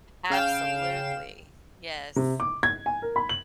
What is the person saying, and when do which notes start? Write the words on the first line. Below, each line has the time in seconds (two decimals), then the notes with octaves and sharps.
Absolutely, yes.
0.30 C#3 F5 G5 E7
2.16 C3
2.40 D6
2.63 G#6
2.86 G#5
3.02 A#4
3.16 B5
3.29 F#7